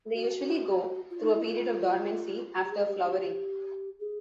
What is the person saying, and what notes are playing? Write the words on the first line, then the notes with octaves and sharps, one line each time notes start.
They usually go through a period of dormancy after flowering.
F#4
F4
D#4
E4
F4
F#4
G4
G#4
G4
G4
G#4